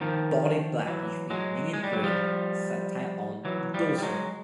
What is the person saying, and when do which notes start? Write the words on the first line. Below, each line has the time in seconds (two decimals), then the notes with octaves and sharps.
Body blackish with minute grey setae on dorsum.
0.01 D#3 F3
0.87 E3 F#3
1.30 F#3 G#3
1.74 G#3
1.84 G3
1.93 F#3
2.04 F3 G3
3.45 E3 F#3
3.74 F3 G3
3.98 G3
4.02 F#3 G#3